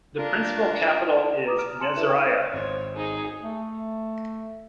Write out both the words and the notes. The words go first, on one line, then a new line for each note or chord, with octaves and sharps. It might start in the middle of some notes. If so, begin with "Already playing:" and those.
The provincial capital is Nasiriyah.
D4 F4 A#4
B4 A#5 D6 D#6
A#5 F6 D7
G#5 A5 C6 C#7 E7 F#7
E4 G4 A#4 B4 E5 E7
G5
G#1 C5 C#5
D#4 G#4
A3